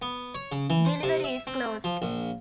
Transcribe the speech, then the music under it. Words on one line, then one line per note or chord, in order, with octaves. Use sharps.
Delivery is closed.
B3
C#5
C#3
E3
C5
C3
E5
C4
F3
A#1